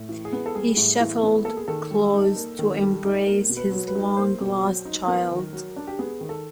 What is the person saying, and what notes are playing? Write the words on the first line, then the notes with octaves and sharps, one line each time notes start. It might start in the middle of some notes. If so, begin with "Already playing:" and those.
He shuffled close to embrace his long lost child.
Already playing: A2
E3
G#4
B3
A4
G3 G#4
A2
E3
B3
A#3 A4
G#4
D#3 A4
G3
D#4
A#3
D#3
G3
D#4
A#3 A#4
B2
B4
F#3
B4
D#4
A#3 C5
B2
F#3
D#4
B3 A#4
D#3
F#3
D4
G4
B3 G#4
D#3
A4